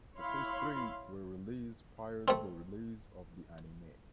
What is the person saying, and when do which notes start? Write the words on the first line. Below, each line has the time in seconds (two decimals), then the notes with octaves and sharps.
The first three were released prior to the release of the anime.
0.18 E4 C#5 F5 B5 C6
2.28 A3 C4